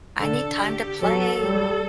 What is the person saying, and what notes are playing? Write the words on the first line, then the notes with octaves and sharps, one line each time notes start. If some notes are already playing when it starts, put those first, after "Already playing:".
I need time to play."
D3 A4
G4
F#3 A4
G3